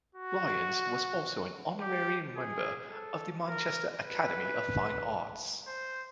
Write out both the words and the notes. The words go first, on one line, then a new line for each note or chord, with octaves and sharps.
Lyons was also an Honorary member of the Manchester Academy of Fine Arts.
F#4
G4
G#4
A4
A#4
B4
C5